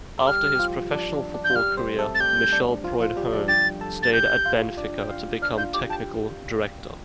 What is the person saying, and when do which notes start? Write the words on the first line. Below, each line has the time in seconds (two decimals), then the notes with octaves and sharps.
After his professional football career, Michel Preud'homme stayed at Benfica to become technical director.
0.18 A4 D6
0.27 G3 G4 F6
0.55 G4
0.59 F3 F4
0.91 D4
1.13 D4
1.34 D4
1.44 G6
1.50 F4
1.56 G3 G4 F6
1.77 C4 C5
1.99 A3 A4
2.15 A6
2.20 G3 G4 G6
2.52 D4
2.84 F3 F4
3.00 F3 F4
3.17 G3 G4
3.33 D4 D5
3.48 G4 G5 A6
3.81 A4 A5
4.03 A5 A6
4.13 G4 G5 G6
4.45 F4 F5
4.77 D4 D5
4.99 G5
5.10 F4 F5
5.42 D4 D5 F6
5.58 F4 F5 G6
5.74 G4 G5 D6
5.90 G4 G5 A5